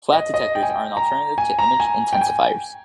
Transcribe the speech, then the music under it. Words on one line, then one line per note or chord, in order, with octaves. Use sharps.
Flat Detectors are an alternative to Image Intensifiers.
D#5
D#5
G5
G#5
G5
A#5
G#5
A#5
G#5
G5
G#5